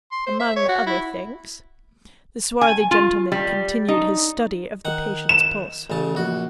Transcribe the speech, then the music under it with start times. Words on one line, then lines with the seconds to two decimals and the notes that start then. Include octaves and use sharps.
"Among other things." The swarthy gentleman continued his study of the patient's pulse.
0.12 C6
0.27 C5
0.40 E5
0.56 C#5
0.69 F#4
0.87 E4
2.61 G#5
2.91 F4
3.32 G3
3.88 D#4
4.85 D#3 F#5
5.29 E7
5.90 A1 C#3 A5
6.15 A#1 F#4